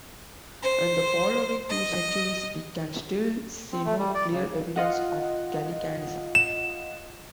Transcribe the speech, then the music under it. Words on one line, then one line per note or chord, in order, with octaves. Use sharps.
In the following two centuries we can still see no clear evidence of Gallicanism.
C5
D#5
C4
A3
G3
D5
C#3
F4 D#5 F#5
E7